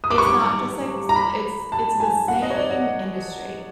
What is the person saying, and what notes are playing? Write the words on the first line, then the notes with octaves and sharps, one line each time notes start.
it's not just like, s it's it's the same industry.
D#6
D6
C#6
D6
A#5
B5
A5
G#5
F#5
D#5
C#5
D5
D#5